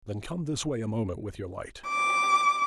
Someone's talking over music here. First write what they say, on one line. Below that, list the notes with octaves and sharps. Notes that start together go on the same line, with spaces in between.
'Then come this way a moment with your light.'
D6